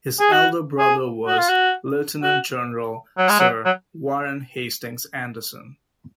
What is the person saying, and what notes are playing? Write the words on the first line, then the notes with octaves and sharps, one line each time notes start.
His elder brother was Lieutenant General Sir Warren Hastings Anderson.
G#4
F#4
G#4
F#4
F4
F#4
F#4
F#3
G#3
F#3
F#3